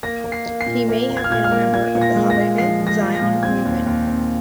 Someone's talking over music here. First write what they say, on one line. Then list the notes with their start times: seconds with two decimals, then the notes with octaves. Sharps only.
He may have been a member of the Hovevei Zion movement.
0.03 A#3 A#6
0.24 A#3
0.32 C7
0.46 A#3
0.61 C7
0.66 A#2
0.88 A#3
1.10 A#3
1.17 G#6
1.24 F6
1.30 A#2 G#6
1.44 F6
1.51 A#3
1.73 A#2 G#6
1.95 A#2
2.01 A#6
2.16 G#3
2.30 A#6
2.37 A#2
2.58 F3 C7
2.80 F3
2.87 A#6
3.01 F3
3.15 A#6
3.22 A#2
3.43 C4 G#6
3.65 D#2
3.86 D#2
4.07 C4